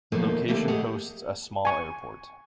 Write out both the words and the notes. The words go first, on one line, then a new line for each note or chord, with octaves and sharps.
The location hosts a small airport.
D#2 B2 F3 A3 A#3 D#4
D#2 A3 A#3 C4 G4 A4
A3 G4 G#4 D#5 F#5
G#5 C#6